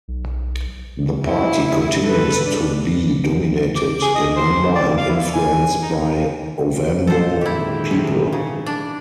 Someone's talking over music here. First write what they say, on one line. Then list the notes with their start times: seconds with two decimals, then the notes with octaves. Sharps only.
The party continues to be dominated in number and influence by Ovambo people.
0.08 B1
1.24 E4
2.04 A4 B4
2.46 D4
3.76 D6
4.02 G#4
4.15 D#5
4.37 C5
4.76 D5
4.98 F5
5.10 E4
5.33 G#5
5.83 D#4
7.07 A#2 F#3 C4 A4 C5
7.41 G#2 D3 D#3 E4 G4
7.91 C3
8.33 C#3
8.66 D4